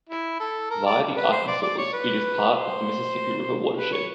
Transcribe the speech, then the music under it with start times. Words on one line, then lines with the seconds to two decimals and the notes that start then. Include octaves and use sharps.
Via the Arkansas, it is part of the Mississippi River watershed.
0.09 E4
0.40 A4
0.70 A#4
0.86 D5
1.17 B4
1.32 C5
1.48 D5
1.63 D5
1.78 C#5
1.93 B4
2.55 C5
3.77 B4
3.92 C#5